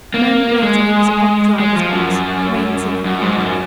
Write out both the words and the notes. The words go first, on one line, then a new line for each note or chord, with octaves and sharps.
A moment later he was upon the driver's box, reins in hand.
A#3
G#3
G#3
F3
F#2
F#2
G#2
F#2